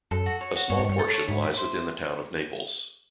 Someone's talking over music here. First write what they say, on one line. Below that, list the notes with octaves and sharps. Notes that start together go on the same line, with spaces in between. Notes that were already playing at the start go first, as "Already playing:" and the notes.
A small portion lies within the Town of Naples.
F#2 A4
F#4
C#5
F#4
G2 C#5
G#2
G2 C#5
A4
C#5
G#2 E4
E4
C5